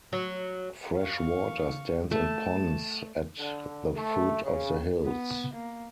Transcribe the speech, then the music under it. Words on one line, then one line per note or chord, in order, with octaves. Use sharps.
Fresh water stands in ponds at the foot of the hills.
F#3
F5 C#6
A3 A5
D3
A3
C#3
B3
A#3